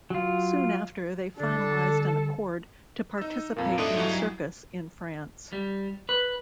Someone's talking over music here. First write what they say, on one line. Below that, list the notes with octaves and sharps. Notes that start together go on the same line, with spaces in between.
Soon after, they finalized an accord to participate in circus in France.
F#3 F4
D3 G3 D4 A4
D#4 E6
F2 A#2 A#3
G#2 A3 D4 C#5 D#5 D#6
G2 F#3 D#4 E4 G#4
G3
B4